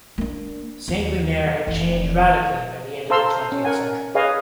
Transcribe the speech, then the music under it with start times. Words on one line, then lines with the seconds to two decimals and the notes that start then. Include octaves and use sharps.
Saint-Lunaire had changed radically by the end of the twentieth century.
0.18 A#3 D4
0.88 D#2
1.67 F1 E3
3.10 A4 C5 F5 A#5 C6 E6
3.52 C#4
3.64 A#4 F#5 G#5
4.15 G#4 B4 C#5 D#5 F5 G#5